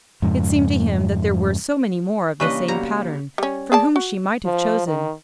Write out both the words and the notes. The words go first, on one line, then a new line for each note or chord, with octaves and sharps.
It seemed to him that there were so many more of the same pattern from whom she might have chosen.
F2 G#2 C#3
C#3 E3 G3 A#3 D4 B4 D#5 C#6
B1 G3 A#5
G3 C#4
G#4 D5 A5
F#4
F3
D#3